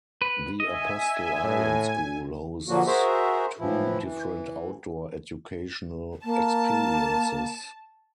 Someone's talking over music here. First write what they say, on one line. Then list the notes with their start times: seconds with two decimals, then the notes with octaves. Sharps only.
The Apostle Island School hosts two different outdoor-educational experiences.
0.22 B4
0.60 D#5 E5 G#5
1.43 A2 G#5
2.68 A#2 D3 F3 F#3 A#3 F#4
2.87 F#4 G#4 A#4 C5 E5
3.59 A2 E3 F3 E4
4.01 E3
6.25 A#3 A5